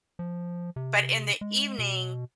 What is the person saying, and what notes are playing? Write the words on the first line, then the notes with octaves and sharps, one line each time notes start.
But in the evening
F3
C3
G#3
B2